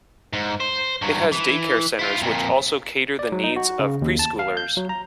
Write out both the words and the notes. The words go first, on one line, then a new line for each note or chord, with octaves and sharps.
It has daycare centers which also cater the needs of pre-schoolers.
G#2
C5
G2 F#3
E3
E4 F4
F2 A#2
D5
F#3
D#4
F#4
C#3
D#2
A5
F5
G6
F#3
A#5